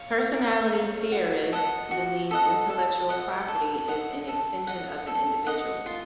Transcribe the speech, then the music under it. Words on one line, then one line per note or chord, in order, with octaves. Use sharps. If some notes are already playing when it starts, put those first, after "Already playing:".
Personality theorists believe intellectual property is an extension of an individual.
Already playing: C#5 F5
A#4
C#5 F5
F#4
A4 D#5 F#5
F#4
A4 D#5 F#5
A4
D#5 F#5
A4
D#5 F#5
A4
D#5 F#5
A4
D#5 F#5
F4